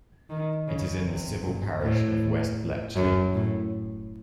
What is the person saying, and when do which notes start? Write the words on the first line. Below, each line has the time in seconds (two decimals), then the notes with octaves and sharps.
It is in the civil parish of West Bletchley.
0.29 D#3
0.67 C#3
1.05 C3
1.43 A#2
1.81 A2
2.96 F#2
3.33 A2